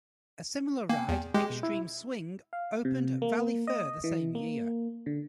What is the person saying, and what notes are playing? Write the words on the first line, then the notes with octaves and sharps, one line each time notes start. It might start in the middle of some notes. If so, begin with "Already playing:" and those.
A similar ride, Xtreme Swing, opened at Valleyfair the same year.
A#3 G5 G#5
E2
G#3 G4 G#4
B2
E4
F5
C3
A#3
D#5
E3
A#3
D3